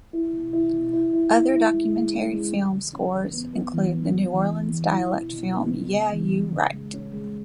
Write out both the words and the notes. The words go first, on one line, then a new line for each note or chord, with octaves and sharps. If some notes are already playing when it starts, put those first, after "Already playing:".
Other documentary film scores include the New Orleans dialect film Yeah You Rite!
E4
B2
E4
B2
E4
E4
E4
E4
G#3
G#3
C#4
G#3
E2
C#3
C#4
E2
B3
B3
E3
B3
E2
E3
E2
E2
E4
B2
B2
B3
C#3
C#3
E3
C#3
C#3
G#3
C#4
G#3